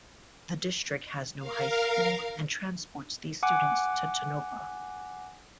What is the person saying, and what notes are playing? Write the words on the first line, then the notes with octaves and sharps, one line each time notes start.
The district has no high school and transports these students to Tonopah.
A#4 F5
F#5 G#5 D6 F#6